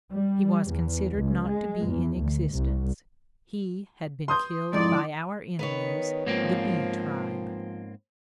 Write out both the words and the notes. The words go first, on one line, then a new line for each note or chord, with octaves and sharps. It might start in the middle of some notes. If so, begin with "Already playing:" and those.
He was considered not to be in existence--he had been killed by our enemies, the Bee tribe.
G3
E2
C#2
G#3
E2
D2
C2
C6 D#6 G6
F2 G#2 E4 D5
D#3 B3 B4 C#5
G#2 F3 A#3 C4